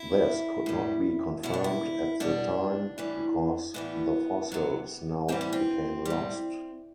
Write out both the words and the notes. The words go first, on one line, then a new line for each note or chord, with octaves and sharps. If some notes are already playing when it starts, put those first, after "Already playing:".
This could not be confirmed at the time because the fossil snout became lost.
Already playing: E4
A2 G3
B2 F#3 E4
D4
E4
B2 G3 D4
A2 E3 G3
A2 E3 G3 B3
C3 F#3
A2 E3 G3 C4
B3
C4
A2 G3